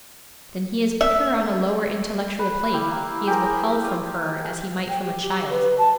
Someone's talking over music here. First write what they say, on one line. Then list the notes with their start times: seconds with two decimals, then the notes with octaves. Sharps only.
'Then he has put her on a lower intellectual plane; he has withheld from her, as he might from a child.'
1.01 E5
2.39 B4
2.73 E4 G4 F5
2.91 A#3
3.27 G4 G#4 A#4 C5
3.84 F5 D#6
4.89 G5
5.05 G4
5.22 G4
5.50 B4
5.78 A5